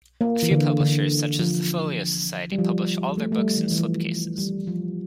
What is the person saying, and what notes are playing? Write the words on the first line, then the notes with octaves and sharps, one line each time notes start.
A few publishers, such as the Folio Society, publish all their books in slipcases.
A#3
E3
D3
D3
F3
G3
F3
A3
A3
G3
E3
E3
F3
G3
F3